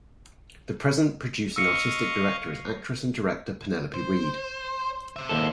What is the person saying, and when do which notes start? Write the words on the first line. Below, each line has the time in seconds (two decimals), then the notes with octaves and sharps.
The present Producing Artistic Director is actress and director Penelope Reed.
1.56 D#5 F5 C#6 E6 C#7
3.94 C5
5.16 C5 E5
5.29 D#2 A4